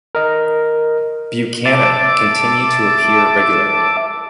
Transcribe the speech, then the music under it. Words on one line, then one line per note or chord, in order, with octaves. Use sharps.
Buchana continue to appear regularly.
A#4 D#5
E5 A5 D6